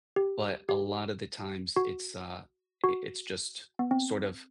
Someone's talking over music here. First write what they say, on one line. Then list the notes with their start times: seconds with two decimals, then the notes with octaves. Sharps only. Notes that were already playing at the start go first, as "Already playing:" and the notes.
but a lot of the times, it's, uh it it's just, sort of
0.16 G4
0.69 G4
1.76 F#4
2.84 F#4
3.79 B3
3.91 C4